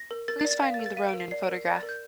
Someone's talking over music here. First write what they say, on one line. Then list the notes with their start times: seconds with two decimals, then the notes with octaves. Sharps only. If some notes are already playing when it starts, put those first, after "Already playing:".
Please find me the Rounin photograph.
Already playing: A#6
0.11 A#4
0.28 A#4 A6
0.40 A6
0.45 D5
0.51 A6
0.62 F5
0.74 A6
0.79 A#4
0.86 A6
0.96 F5 D#7
1.09 D7
1.14 A#4
1.20 C7
1.31 D5 C7
1.43 D7
1.49 A#4
1.55 C7
1.66 D5 A#6
1.78 A6
1.83 A#4
1.89 G6